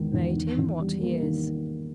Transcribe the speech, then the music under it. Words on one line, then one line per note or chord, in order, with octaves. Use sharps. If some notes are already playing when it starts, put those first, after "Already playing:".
Made him what he is!
Already playing: E2 D#3 G#3 D#4
E2
D#3
E2
G3
A#3
D#3